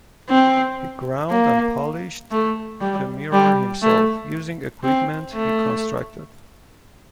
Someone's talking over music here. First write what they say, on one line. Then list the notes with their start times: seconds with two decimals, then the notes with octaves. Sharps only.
He ground and polished the mirror himself, using equipment he constructed.
0.29 C4
1.29 A#3
2.31 A3
2.80 G3
3.32 G3
3.82 A3
4.83 C4
5.33 A3